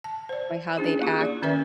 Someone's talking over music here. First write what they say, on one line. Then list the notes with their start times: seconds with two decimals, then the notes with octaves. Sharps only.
like, how they'd act.
0.04 A5
0.29 C5 D5
0.77 C#4 D4 E4 G#4
1.01 A#3 F4 G4 G#4
1.21 D5
1.42 D#3 C#4 B4 D5 E5